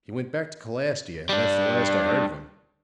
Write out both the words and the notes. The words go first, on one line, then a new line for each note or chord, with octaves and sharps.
"He went back to Calastia, and that's the last I heard of him."
G3 D4